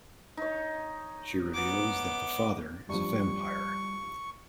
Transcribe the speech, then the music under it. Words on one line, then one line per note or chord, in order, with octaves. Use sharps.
She reveals that the father is a vampire.
D#4 C#5
B3 D6
G2 F3 G3 C#6